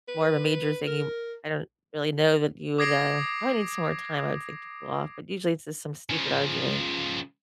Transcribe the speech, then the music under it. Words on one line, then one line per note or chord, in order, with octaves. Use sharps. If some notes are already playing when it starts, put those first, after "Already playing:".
more of a major thing he I don't really know that you would, uh, probably need some more time, I would think, to cool off, but, usually, it's just some stupid argument.
B4
A#4
D6 D#6 G#6 A#6 C7 D7
C#3 F3